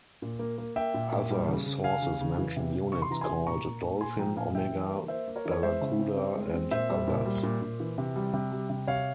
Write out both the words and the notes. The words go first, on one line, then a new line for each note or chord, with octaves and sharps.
Other sources mention units called "Dolfin", "Omega", "Barrakuda", and others.
A#2
A#3
A#3
A#3 E5 G5
A#2
A#2
G3
C#3
C#3
C#3 F5 G#5
C#3
C#3
E3
C3
C3
C3 C#6
C6
E3 A#5
G#5 C6
C3
A#2 A#5 C#6
A#2
A#2
A#2 G#5 C6
F3 G5 A#5
A#2 F5 G#5
E3 E5 G5
E3
A#3
A#3 C5 E5
A#3
A#4 C#5
E3
C#5
G#3 C5 E5
C#3
C4
C4
G#3
C4
A#2 C5 E5
G3
A#2
G3
A#2
A#2
E3
C3
G3
C3
G3
C3
C3 C#5 F5